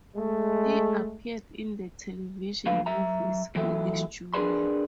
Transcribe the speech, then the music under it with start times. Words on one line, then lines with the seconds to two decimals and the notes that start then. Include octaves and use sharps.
He appeared in the television movies Who is Julia?
0.16 G#3 A3
2.66 A#2 D3 F#3 A3 B4 F5
2.86 F#3 E5 A#5
3.55 A2 E3 F#3 A4 E5
4.34 D4 G#4 A#4 B4 D5 C6